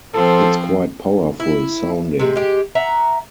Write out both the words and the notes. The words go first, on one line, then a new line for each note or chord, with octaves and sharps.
It's quite powerful sounding.
F3 C4 A4
E4
C3 G#3
G#3 G4
E5 F#5 A#5